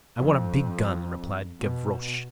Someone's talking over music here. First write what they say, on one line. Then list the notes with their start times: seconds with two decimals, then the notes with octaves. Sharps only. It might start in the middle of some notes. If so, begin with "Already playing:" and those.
"I want a big gun," replied Gavroche.
0.17 F2
1.61 B2